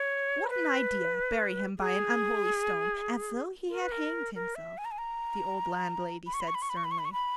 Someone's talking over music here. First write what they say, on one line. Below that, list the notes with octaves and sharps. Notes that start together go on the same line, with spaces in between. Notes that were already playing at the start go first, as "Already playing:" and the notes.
"What an idea, bury him by an unholy stone, as though he had hanged himself!" the old landlady said sternly.
Already playing: C#5
B4
G#4
A#4
B4
A#4
A#4
E5
G#5
A#5
G#5
A#5
B5
C#6
B5
C#6
B5
C#6
B5
C#6
B5
C#6
B5
C#6
B5